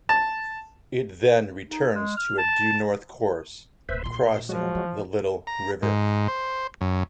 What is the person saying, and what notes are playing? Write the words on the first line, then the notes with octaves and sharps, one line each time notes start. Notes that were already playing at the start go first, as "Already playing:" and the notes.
It then returns to a due north course, crossing the Little River.
A5
D#4
G#3
F6
A5
D1 A#2 B4 C5 E5
A#1 A#2 C6
F3 F#3 G#3 F#4
E3
A#5
G#2
C5
F#2